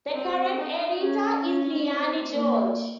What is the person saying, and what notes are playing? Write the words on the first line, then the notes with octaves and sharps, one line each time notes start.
The current editor is Lianne George.
C4
D#4
C#4
C#4
C4
A#3